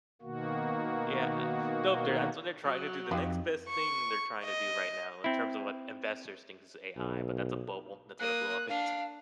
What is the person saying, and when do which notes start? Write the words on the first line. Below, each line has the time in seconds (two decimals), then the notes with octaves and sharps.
Yeah, uh no, there that's what they're trying to do the next best thing they're trying to do right now, in terms of what investors think, is AI, but that's a bubble that's gonna blow up anytime
0.22 B2 D#3 A#3 F#4
2.64 F#3
3.11 F2 D#4 F4 G4
3.68 C#6
4.42 D#5
5.24 C4 E4
6.97 B1
8.20 A#3 D#6 F#6
8.69 D4 F5